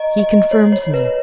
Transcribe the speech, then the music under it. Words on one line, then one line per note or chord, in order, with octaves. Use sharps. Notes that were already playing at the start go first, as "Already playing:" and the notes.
He confirms me.
Already playing: D#5 A#5
D#5
C#5
C#5
B4